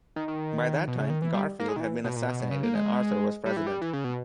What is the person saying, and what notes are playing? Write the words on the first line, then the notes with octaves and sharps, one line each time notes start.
By that time, Garfield had been assassinated and Arthur was president.
D#3
D#3
B2
C#3
D#3
E3
G3
A#3
G#3
D#3
E3
B2
A#2
B2
B2
C#3
A#3
G#3
G3
E3
G3
E3
C#3
B2